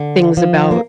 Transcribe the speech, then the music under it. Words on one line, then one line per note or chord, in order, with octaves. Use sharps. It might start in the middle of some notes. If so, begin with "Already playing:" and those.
things about
Already playing: D3
F3
A#3